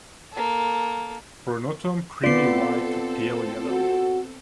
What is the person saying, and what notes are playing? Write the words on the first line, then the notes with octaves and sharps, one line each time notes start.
Pronotum creamy white to pale yellow.
A#3 A4
B3 C4 F4 A4 D5 C7
F#4